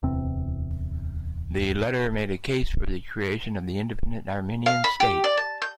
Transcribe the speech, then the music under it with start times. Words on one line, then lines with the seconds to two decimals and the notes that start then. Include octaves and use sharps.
The letter made a case for the creation of an independent Armenian state.
0.03 D1 E2 C3 C4
4.66 F5
4.84 B5
5.00 G4
5.24 D5
5.37 A5
5.62 G6